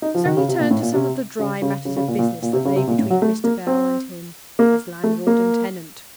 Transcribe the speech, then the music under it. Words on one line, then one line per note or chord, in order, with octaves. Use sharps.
So he turned to some of the dry matters of business that lay between Mr. Bell and him, as landlord and tenant.
D#4
F3
D#3
C#3
C3
A#2
A2
A#2
C3
C#3
C#3
C#3
C#3
A#2
A#2
A#2
C3
C#3
C3
A#2
A2
F#3
A3
A#3
C4
A#3
A3
A#3